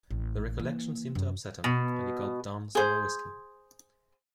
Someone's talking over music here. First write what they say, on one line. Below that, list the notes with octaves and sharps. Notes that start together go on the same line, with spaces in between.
The recollection seemed to upset him, and he gulped down some more whisky.
A1
E3 A#3
F#2
B2
G#4 C5